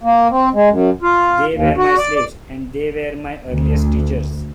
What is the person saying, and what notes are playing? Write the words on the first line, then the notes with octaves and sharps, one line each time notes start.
They were my slaves; and they were my earliest teachers.
A#3
C4
G#3
F#2
F4
D#2
F#4
D5
D5
D2